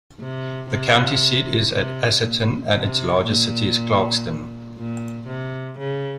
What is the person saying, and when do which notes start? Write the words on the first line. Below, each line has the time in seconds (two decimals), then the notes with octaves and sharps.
The county seat is at Asotin, and its largest city is Clarkston.
0.20 C3
0.70 C3
1.72 C3
2.22 A#2
2.74 C3
3.24 A#2
4.77 A#2
5.28 C3
5.79 C#3